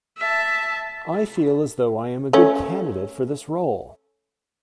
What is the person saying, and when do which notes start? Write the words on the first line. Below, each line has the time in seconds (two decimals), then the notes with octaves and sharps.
I feel as though I am a good candidate for this role.
0.18 E5 A5
2.33 A3 C#4